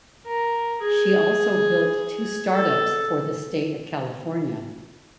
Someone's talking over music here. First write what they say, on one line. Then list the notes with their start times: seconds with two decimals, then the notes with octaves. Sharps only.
She also built two startups for the state of California.
0.27 A#4
0.83 G#4
2.50 A4